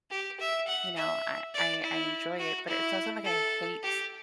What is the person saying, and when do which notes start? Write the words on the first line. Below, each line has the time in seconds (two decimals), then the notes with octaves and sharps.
you know, I I I enjoy it, but it's not like I hate,
0.10 G4
0.40 E5
0.67 F#5
0.96 E5
1.54 D5
1.83 E4
2.39 F#4
2.67 E4
3.24 A4
3.83 G4